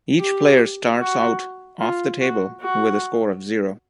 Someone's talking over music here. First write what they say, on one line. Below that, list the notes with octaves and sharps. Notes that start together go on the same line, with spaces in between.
Each player starts out "off the table" with a score of zero.
G4
F#4
F4
F#4
F#4